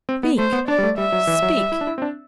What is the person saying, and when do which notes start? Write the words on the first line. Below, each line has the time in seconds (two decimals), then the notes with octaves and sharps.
Speak, speak!
0.09 C4
0.23 B3
0.38 A3 C5
0.53 B3
0.68 D4 D5
0.78 G3
0.83 A3
0.98 G3 E5
1.12 F#3
1.27 E3
1.42 F#3
1.57 G3
1.72 E4
1.81 D4
1.87 E4
1.98 C4
2.02 D4